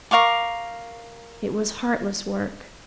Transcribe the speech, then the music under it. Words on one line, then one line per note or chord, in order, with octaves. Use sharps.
It was heartless work.
A#4 F5 C#6 D6